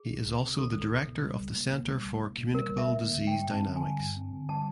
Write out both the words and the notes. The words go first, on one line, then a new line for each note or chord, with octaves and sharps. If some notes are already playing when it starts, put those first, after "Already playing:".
He is also the Director of the Center for Communicable Disease Dynamics.
Already playing: G#4
C#2
C#2
C3
D#3 A4
C#2
C#2
B2
G3
C#2
A#3
B2
G3
C#2
A#3
B2
G3 A#4
C#2
E5
A#3
D3
G3
G5
G2
C4 A5
D3
G#5
G3
G2
C4
D3
G3 A5